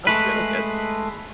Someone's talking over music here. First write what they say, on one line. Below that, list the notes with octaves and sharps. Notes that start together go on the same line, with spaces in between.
That's really good.
G#3 A3 B4